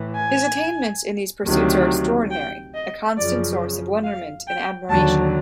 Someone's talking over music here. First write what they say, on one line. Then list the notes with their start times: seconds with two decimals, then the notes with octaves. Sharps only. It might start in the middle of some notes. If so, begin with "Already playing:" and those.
His attainments in these pursuits are extraordinary; a constant source of wonderment and admiration.
Already playing: A2 E3
0.15 G#5
1.45 D2 C3 D#3 F#3
2.31 G5
2.74 D#5
3.17 F#2 C#3 F3 D5
4.04 F5
4.47 G5
4.89 D#2 D3 F#3 A5